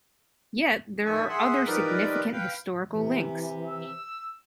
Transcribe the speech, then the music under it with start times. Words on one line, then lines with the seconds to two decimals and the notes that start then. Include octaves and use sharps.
Yet there are other significant historical links.
1.05 D#3 F3 D4 E5 G#5 C#6
1.29 G#4 E5 F#5 C6
1.67 F3 G3 D#4 A#4 B4 D5
2.32 B4 F5 G5
2.88 C3 E3
3.67 E6